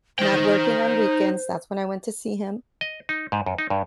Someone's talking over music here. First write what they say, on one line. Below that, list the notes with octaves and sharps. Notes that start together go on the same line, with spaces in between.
not working on weekends, that's when I went to see him,
D#4 C5 G5
D#5
D#4
G#2
F#2
D#4
G2